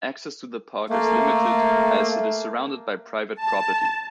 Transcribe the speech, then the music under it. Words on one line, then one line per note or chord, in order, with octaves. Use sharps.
Access to the park is limited as it is surrounded by private property.
A3 A#3
A5